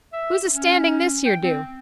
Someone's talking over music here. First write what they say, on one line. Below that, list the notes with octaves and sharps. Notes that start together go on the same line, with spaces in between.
Who's astanding this here do?
E5
C#4
G5
C4